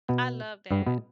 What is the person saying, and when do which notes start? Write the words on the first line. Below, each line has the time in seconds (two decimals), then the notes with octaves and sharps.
I love that.
0.09 B2 B3
0.71 G2 G3
0.87 B2 B3